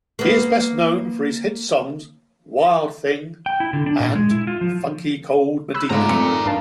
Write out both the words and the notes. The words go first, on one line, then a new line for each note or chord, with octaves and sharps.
He is best known for his hit songs "Wild Thing" and "Funky Cold Medina".
A#3 B3
G5
E4
D3
D4
A#2
G#3
E4
F4
F3
B5 E6 F#6
G#2 C#3 G#3 A3 F4 D5 A#5
F2 A3 C4 C#7
D#3
G2 A#4 F5 A5